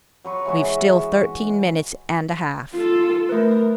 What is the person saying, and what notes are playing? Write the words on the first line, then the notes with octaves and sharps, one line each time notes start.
"We've still thirteen minutes and a half."
F#3 B4 C#6
E3 G#3 F#4 E5
F4 A4
A3 A#4 B4